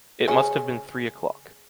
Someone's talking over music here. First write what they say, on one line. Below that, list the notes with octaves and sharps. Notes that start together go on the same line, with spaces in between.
It must have been three o’clock.
C#3 C#4